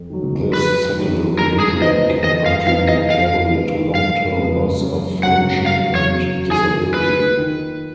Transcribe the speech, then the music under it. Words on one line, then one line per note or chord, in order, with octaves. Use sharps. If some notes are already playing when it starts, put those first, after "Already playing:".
This secondary injury can contribute heavily to long term loss of function and disability.
Already playing: F2
D#3 F#3
F2 B4
D#3 F#3
F2 A#4
G#4
F3 B3 D#4 D#5
F2 D#5
F5
F3 B3 D#4 F5
D#5
F2 F5
C#3 G#3 B3
F2 F5
C#3 G#3 B3
F#2
C#3 F#3 F#5
F#2 F5
C#5
C#3 F#3
D#3 G#4
A#3 F4 B4
D#3